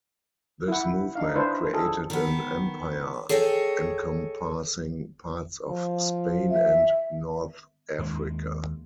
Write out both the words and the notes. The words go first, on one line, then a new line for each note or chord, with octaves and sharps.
This movement created an empire encompassing parts of Spain and North Africa.
E4 F#5
D4 D#4 F5
D4 E4 B4 C5
F4 G#4 A4
D#3 B3
G#4 A4 C#5 D#5 G5
F3
E5
D#2 G#3